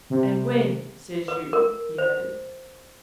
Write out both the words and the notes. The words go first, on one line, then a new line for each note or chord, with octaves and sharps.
"And when? says you," he added.
C3
B4
A#4
C5